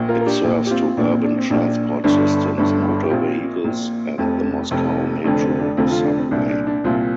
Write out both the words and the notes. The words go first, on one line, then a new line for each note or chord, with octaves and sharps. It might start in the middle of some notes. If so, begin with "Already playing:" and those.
It serves two urban transport systems: motor vehicles and the Moscow Metro subway.
Already playing: A#1 A#2
F4 A#4
A#4
D4 G4
A#1 A#2
G4
C4 F4
A#1 A#2 D4
C4
D4
C4
A#1 A#2 D4
G1 G2 D3 D4
G1 G2 D3
G4
A#1 A#2 C4 F4
A#1 A#2
F1 F2 C3
F1 F2 C3
F1 F2 D3 D4
C4
D4
F1 F2 D3 C4 F4
C4 F4
D4
C4
C2 A#2 D4
D4
D4
C2 A#2 C4 F4